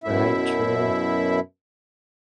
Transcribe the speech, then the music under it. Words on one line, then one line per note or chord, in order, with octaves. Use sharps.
Right, true.
F#2 B2 E4 E5